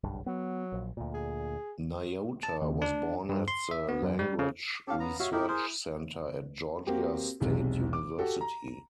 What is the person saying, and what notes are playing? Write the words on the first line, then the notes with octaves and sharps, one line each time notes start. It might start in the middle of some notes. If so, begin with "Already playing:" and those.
Nyota was born at the Language Research Center at Georgia State University.
F#1 B1 G2
F#3 B3
A#1
D2 A#2
G#4
A5
D#2
D4
G2
C6
E5
B3
F#2
G3
C#3
C#4 G4 A4 F5
B3 A#5
F#4 C#5 E5 F5
D#4 E4 G4 A#4
G#4 A#4 C5
A#3 C4 F#4 G4
E1 B1 C3 G#3
D6
F#4 G4 A4
A#5